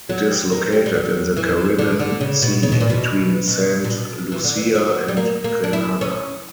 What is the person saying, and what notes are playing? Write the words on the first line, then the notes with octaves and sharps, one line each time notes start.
It is located in the Caribbean Sea, between Saint Lucia and Grenada.
F#3
G3
A#3
G3
G3
F#3
E3
D3
D3
C#3
B2
C#3
B2
A#2
B2
B2
A#2
B2
E3
D3
E3
F#3
G3
A#3
A#3
D4
E4
C#4